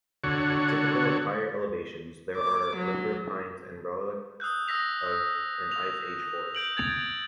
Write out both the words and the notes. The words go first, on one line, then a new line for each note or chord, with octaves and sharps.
Typical of higher elevations, there are limber pines and relicts of an ice-age forest.
D3 F#4 C#5
D6
F#3
D#6 E6 F#6 G6
D#6 E6 A#6 B6 F7
F7
G6 D7 F#7
G#6 A6 F7